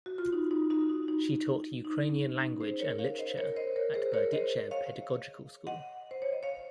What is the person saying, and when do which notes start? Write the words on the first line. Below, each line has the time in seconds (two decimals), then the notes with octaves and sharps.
She taught Ukrainian language and literature at Berdichev Pedagogical School.
0.06 F#4
0.18 F4
0.33 D#4
0.51 D#4
0.70 D#4 F#4
0.90 D#4
1.08 D#4
1.85 D#4
2.10 C#4
2.36 D#4
2.61 G#4 C5
2.80 A#4 C#5
2.99 C#5 F5
3.18 C5 D#5
3.38 A#4 C#5
3.56 C5 D#5
3.76 A#4 C#5
3.94 G#4 C5
4.13 A#4 C#5
4.33 C5 D#5
4.71 C#5 F5
5.67 D#5 F#5
6.11 C5
6.22 C#5
6.33 D#5
6.43 C#5 F5